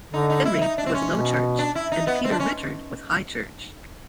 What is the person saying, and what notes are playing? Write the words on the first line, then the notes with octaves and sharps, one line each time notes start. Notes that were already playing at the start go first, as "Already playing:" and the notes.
Henry was Low Church and Peter Richard was High Church.
D3 D#4
D#4
E4
D#4
D4
C4
C#4
B2
D4
E4
D#4
B3
C4
D4
C#4